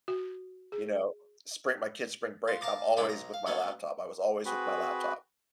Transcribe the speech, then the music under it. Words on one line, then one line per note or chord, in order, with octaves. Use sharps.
you know? Spring my kids' spring break I'm always with my laptop I was always with my laptop.
F#4
G#4
F4
F5 A5 A#5 D6 D#6
C3 G#3 A3 D4 E4 B5
B1 A#5 D#6
F5
F#3 A3 B3 C#4 F5
C4 F#4 G#4 B4 B5